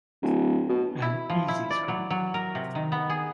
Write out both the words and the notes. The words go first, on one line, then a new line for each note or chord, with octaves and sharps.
An easy scramble.
D1
B2
E4
F3
E4
D5
F#3
F#3
A#4
C3
D#3
B3
G#4